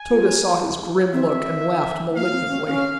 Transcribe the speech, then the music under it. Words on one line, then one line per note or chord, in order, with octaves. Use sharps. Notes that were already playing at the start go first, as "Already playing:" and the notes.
Tode saw his grim look and laughed malignantly.
Already playing: G#5
F4
E4
C4 E5
A#3 F5
C4
C#4
C#4 F5